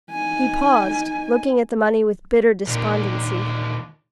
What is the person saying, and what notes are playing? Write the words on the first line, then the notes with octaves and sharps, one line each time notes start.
He paused, looking at the money with bitter despondency.
D#4 G#5
D#2 A#2 D3